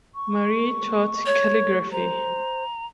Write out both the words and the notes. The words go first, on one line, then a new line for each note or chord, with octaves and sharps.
Marie taught calligraphy.
C#6
C#5
C5 A#5